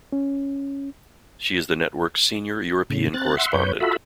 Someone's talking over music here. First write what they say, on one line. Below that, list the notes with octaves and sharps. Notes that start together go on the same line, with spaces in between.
She is the network's senior European correspondent.
C#4
A2 C#3
C4 F#6 A6
E5 F#5 C6
F#2 B4 C#5 G6
F4 F#4 A4 E5 B5